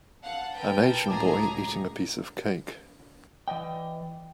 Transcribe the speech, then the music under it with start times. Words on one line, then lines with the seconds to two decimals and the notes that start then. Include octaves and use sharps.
An asian boy eating a piece of cake.
0.23 F5 F#5 A5
0.54 A#4 B4 G5
1.08 C#2 A2 F#3 G#4 G#5 A#5 D6
3.48 E3 D5 D#5 G5